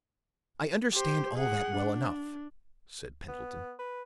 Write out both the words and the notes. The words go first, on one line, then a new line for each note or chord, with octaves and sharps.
"I understand all that well enough," said Pendleton.
G4 C5
G#4 F#5
D4
B3
B4